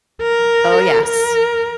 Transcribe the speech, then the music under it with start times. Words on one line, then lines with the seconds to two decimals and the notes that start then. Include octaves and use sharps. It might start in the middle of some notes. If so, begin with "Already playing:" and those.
Oh yes.
0.22 A#4
1.05 A#4